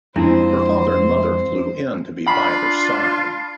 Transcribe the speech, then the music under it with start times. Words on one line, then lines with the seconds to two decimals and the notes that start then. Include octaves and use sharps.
Her father and mother flew in to be by her side.
0.16 F2 G#3 C4 D4 E4 C5
2.28 D4 F4 B5 C7